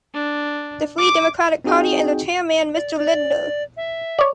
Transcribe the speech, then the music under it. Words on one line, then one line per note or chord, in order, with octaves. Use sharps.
The free democratic party and their chairman Mr. Lindner.
D4
D6
C4 D#4 F#4 G#4 D#5 G5
D5
D5
E5
C#5 D5